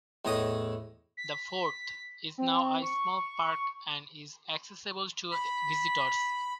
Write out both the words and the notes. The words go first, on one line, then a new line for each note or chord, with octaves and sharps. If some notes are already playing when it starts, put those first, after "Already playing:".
The fort is now a small park and is accessible to visitors.
E2 A2 C#5 D#5 D#6
B6
C4
C#6
B5